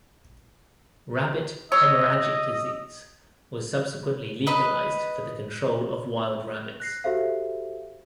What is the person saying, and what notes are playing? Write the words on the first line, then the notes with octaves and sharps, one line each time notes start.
Rabbit hemorrhagic disease was subsequently legalised for the control of wild rabbits.
C#5 D#5 E6
B4 D#5 B5
F#6 A#6 C7
F#4 G4 A4 C5 E5 F5